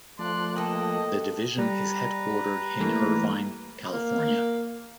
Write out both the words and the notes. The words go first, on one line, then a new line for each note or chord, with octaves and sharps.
The division is headquartered in Irvine, California.
F3 A3 D5 C6 F#6
G#3 A#3 A4 D#5 G5
G3 B4 A#5
E3 A3 A#3
A#3